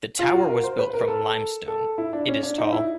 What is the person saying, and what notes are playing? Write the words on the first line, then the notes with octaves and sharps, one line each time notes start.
The tower was built from limestone, it is tall.
F4
F#4
A#4
C5
B4
A#4
A4
A4
E4
D4
C#4
D4
D#4
E4